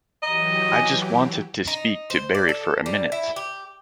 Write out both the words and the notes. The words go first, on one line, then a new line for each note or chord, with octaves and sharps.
I just wanted to speak to Berry for a minute.
E3 F#3 G4 D#5 A#5
G#5
D#4
C5
D5
A4
G3
E4
G4